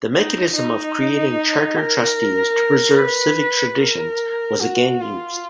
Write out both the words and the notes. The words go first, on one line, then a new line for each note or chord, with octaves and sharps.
The mechanism of creating charter trustees to preserve civic traditions was again used.
D#4
D#4
A#4
B4
A#4
F#4
F4